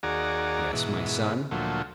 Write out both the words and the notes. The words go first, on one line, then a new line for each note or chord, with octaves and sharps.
"Yes, my son?"
D#2 F#4 G#4 D5 A#5
G#2 B2 E3
D2 A#2 F3 F#3 A3